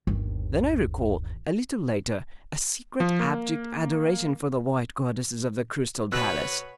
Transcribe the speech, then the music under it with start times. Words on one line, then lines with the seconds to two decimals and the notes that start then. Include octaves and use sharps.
Then I recall, a little later, a secret abject adoration for the white goddesses of the Crystal Palace.
0.07 G1 D#2
3.00 F3
3.20 A#3
6.12 B2 B4 C#5 E6 F#6